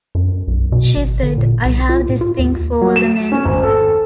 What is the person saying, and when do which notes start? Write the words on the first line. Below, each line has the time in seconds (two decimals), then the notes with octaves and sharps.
She said, I have this thing for older men.
0.15 F#2
0.48 B1
0.72 B2
0.96 G#1
1.23 D3
1.38 A#2
1.65 C2
1.89 F4
2.09 A2
2.21 F4
2.39 D#2
2.81 F#3
2.96 E7
3.32 C#4
3.45 G#1
3.63 A4